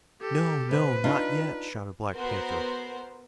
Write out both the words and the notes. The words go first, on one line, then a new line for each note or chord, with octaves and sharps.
"No, no, not yet!" shouted Black Panther.
G4 A4
C3 B4
D4 D#4 F4
B3 F#4 A#4 C5